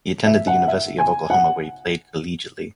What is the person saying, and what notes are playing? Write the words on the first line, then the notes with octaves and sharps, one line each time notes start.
He attended the University of Oklahoma, where he played collegiately.
E5
F#5
E5
G#5
F#5